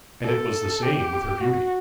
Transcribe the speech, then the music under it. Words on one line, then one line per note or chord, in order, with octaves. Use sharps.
And it was the same with her beauty.
A4
G4
F#4